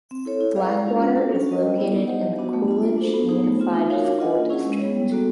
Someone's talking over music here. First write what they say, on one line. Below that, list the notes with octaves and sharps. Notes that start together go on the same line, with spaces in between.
Blackwater is located in the Coolidge Unified School District.
C4
E4 A4 C#5
E4
G#4 B4 D5 F5
G#3
C#4 F4
D4
F#4 A4
C#4
F#4 A#4 D#5
G3
B3 E4
D#4
G4 C5 D#5 F#5
F#3
B3 D4 F#4
A3
D4 F4
A#3
D4 F#4 A4 C5
B3
D#4 G#4 C5
A3
C4 F4
D#4
F#4 A#4 C#5 F5
D4
F4 A#4 D#5 F#5
A#3
C#4 E4 G#4
G#3
B3 E4 G#4 C#5
G3
A#3 D4 F#4 A4